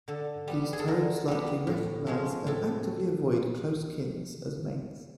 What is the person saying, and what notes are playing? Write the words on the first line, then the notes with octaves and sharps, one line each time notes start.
These toads likely recognize and actively avoid close kins as mates.
D3 A4
G3 B3
G#4
A4
D3 A#4
G3 B3
A2
F3 G#3 C#4
A2 A4